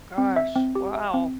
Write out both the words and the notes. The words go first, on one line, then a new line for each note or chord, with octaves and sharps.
gosh, wow.
C4
E5
C4
G4
E5
C4